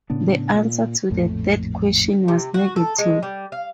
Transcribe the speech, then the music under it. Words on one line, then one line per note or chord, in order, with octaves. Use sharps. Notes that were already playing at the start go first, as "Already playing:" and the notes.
The answer to the third question was negative.
A2 C#3 B3 D4
A#2
A#1 F2 A2 A3
C3
F#4
A4
G#3
G3
F5